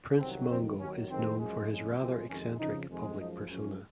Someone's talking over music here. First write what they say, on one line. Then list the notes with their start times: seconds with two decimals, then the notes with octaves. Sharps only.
Prince Mongo is known for his rather eccentric public persona.
0.18 C2 C3 D#3 F#3 C4
0.48 F2 D#3 F#3 C4
0.78 D#2 D#3 F#3 C#4
1.09 F2 D#3 G#3 C4
1.38 F#2 F3 G#3
1.68 F2 C#3 G#3
1.98 C2 A#2 F3 G#3 C4
2.28 F2 C3 D#3 G#3 C#4
2.58 F2 C#3 F3 D#4
2.89 F2 C3 D#3 G#3
3.18 F#2 F3 G#3 D#4
3.47 F#2 F3 G#3 C#4